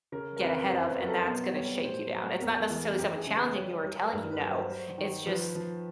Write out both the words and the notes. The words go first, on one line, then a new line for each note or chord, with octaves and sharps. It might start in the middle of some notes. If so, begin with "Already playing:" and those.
get ahead of, and that's gonna shake you down, it's not necessarily someone challenging you or telling you no, it's just
C#3 A#4
A#4
F2 B4
F#2 C5
B4
F#3 A#4
A4
B2 B4
G3 C#5
A2 C5
F#3
E2 A#4
E3 G#4
F#2 G4
G#4
C#3
B4
G3 C#5
G3 A#4
B4
G2 A#4
B4
F#3
C5
F#3 C5
D#3
F3 B4
F3